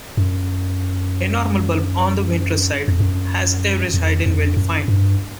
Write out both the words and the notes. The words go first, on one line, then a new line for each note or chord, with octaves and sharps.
A normal bulb on the ventral side has average height and well-defined.
F#2
F2
F#2
F2
F2
F#2
G2